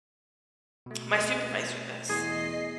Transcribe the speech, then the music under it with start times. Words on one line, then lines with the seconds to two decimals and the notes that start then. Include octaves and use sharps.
my supervisor this.
0.86 B2 A3
2.09 E2 G#4 D#5 C7